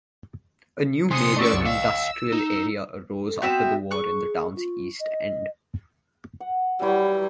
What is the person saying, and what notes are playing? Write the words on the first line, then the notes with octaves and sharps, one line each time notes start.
A new major industrial area arose after the war in the town's east end.
C3 C5 G#5 C6 D#6 C#7
A3 C#4 D5 C#6 E6
C2 F#2
D#5 F5 E6
D#4
A4
B3 C4 F#4 E5
G#4 C#6 F#6
F4
D#5
F#5
E3 F#3 G3 E4